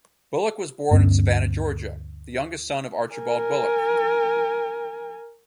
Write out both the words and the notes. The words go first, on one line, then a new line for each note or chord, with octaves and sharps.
Bulloch was born in Savannah, Georgia, the youngest son of Archibald Bulloch.
D2 G2 B3 C#4
A#4 G#5